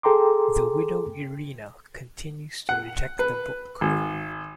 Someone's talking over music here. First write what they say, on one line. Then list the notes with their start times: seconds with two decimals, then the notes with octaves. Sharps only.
The widow Irina continues to reject the book.
0.03 G#4 A4 G5 A#5 C6 D6
2.69 F#5
3.19 B4
3.81 G#1